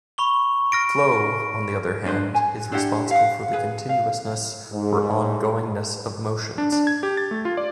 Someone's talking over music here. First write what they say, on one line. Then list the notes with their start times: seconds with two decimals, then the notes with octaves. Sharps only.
Flow, on the other hand, is responsible for the continuousness or ongoingness of motions.
0.18 B5 C#6 G7
0.72 F6 A#6 D7
2.06 D4 B4 C5
2.35 G#5
2.72 D4 E4 G4 F#5
3.11 F5 F#5
3.53 G#4 B4
3.89 F5
4.73 G#2
6.58 D4
6.72 D4
6.87 G#6
7.03 G4
7.17 A6
7.31 A3
7.45 F4
7.57 D5